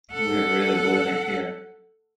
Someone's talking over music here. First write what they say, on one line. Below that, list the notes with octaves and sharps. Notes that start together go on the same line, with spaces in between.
We have really blown it here.
A4 F#5